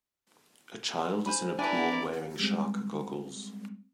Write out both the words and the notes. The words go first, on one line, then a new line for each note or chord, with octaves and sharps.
A child is in a pool wearing shark goggles.
C5 G#5 B5
D4 E4 A#4 B4 D5 G#5
G3 G#3 C4